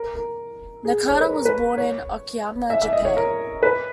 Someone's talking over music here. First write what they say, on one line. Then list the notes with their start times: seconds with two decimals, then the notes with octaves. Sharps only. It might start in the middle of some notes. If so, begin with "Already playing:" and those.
Nakata was born in Okayama, Japan.
Already playing: A#4
0.15 A#4
0.85 G#4
1.08 C#5
1.20 B4
1.33 A#4
1.45 B4
1.78 C#5
2.70 E5
2.82 E5
2.93 D#5
3.05 C#5
3.17 A#4
3.63 B4